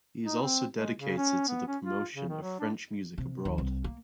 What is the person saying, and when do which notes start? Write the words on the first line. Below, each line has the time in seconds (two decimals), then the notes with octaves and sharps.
He is also dedicated to the promotion of French music abroad.
0.24 D#4
0.42 C4
0.77 G#3
0.99 C#3
1.17 C#4
1.48 B3
1.67 C#4
1.83 F4
2.16 C#3
2.29 D#3
2.42 F#3
2.60 D4
3.18 C3
3.45 D#2
3.58 C2
3.84 A#3